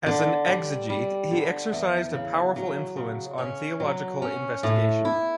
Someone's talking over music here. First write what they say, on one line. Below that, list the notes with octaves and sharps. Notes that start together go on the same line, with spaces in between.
As an exegete he exercised a powerful influence on theological investigation.
D3
G3
G3
D3
E2
C#3
F#3
C#3
C#4
F#3
C#4
A2
E4